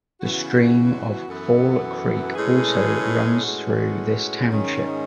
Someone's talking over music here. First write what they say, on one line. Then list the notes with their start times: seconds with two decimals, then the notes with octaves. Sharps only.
The stream of Fall Creek also runs through this township.
0.20 C#3 E3 B3 F#4
1.27 F#2 E3 B3 F#4 A4
2.35 A2 G#3 C#4 G#4 B4
3.42 A2 G#3 C#4 F#4 B4
4.49 G#2 D#3 G#3 C#4